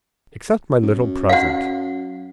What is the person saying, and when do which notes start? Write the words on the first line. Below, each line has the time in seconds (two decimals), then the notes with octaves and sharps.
Accept my little present.
0.82 F#2
1.29 F5 F#5